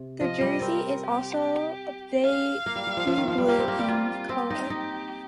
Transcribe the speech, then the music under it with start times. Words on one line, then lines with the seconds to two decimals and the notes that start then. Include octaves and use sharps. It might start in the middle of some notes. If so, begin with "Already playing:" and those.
The jersey is also baby blue in colour.
Already playing: C3
0.21 F3 D#5
0.41 G3
0.61 C4 A#4
1.03 G4
2.25 F5
2.66 A#3
2.76 G3
2.87 G3
2.97 F3
3.07 F3
3.17 D#3
3.28 F3
3.38 G3
3.48 A#3 G4
3.59 C4
3.68 A#3
3.79 G3
3.88 A#3 F4
4.29 C4 G4
4.50 D#4
4.70 D#4